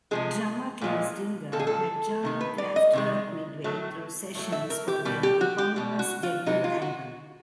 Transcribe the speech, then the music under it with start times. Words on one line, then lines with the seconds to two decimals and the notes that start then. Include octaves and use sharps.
Drummer Klaus Dinger had joined Kraftwerk midway through sessions for their eponymous debut album.
0.11 C3 F3 G#3 G#4
0.81 A#2 F3 G#3
1.52 A#2 F3 G#3 A4
1.60 G#4
1.67 A4
2.23 C3 D#3 G#3
2.41 B4
2.58 D5
2.76 D#5
2.93 C3 D#3 G#3
3.64 A2 F#3 A3
4.35 A2 F#3 A3
4.52 E5
4.70 A#4
4.88 G4
5.05 B2 G3 G4
5.23 G4
5.41 F#4
5.58 G4
5.76 B2 G3
5.99 F#4
6.23 F4
6.46 C3 E3 G#3 D#4
6.64 F4
6.82 F#4